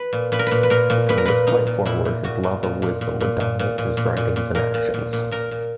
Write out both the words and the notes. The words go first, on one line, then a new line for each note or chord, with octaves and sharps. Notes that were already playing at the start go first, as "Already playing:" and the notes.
From this point forward, his love of wisdom would dominate his writings and actions.
Already playing: B4
A#2
A#2 B4
A#4
A#2 B4
B4
A#2 A#4
A#2
A#2 B4
A#4
A#2 B4
A#2 D#4
A#2
A#2 E4
A#2
A#2 F#4
A#2
A#2
A#2
A#2
A#2
A#2
A#2
A#2
A#2
A#2
A#2
A#2 A#4
A#2
A#2
A#2
A#2 A#4
A#2